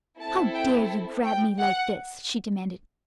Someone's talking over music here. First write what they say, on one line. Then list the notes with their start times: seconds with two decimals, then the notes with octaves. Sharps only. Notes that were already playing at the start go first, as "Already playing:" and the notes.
"How dare you grab me like this?" she demanded.
0.20 C4 E4 A4 A5
0.54 G5
1.24 G5
1.59 F#5